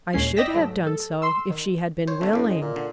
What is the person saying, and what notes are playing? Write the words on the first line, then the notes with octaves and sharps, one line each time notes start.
I should have done so, if she had been willing.
D#2 A#2 G#3 C#4 C7
D5 D#5 G5 E6 A#6 B6
G#2 F#3 A3
A4
C6 E6
D#3
C5 C#5
B2 D3 A3
F#2 A2
G#3
A#2
D3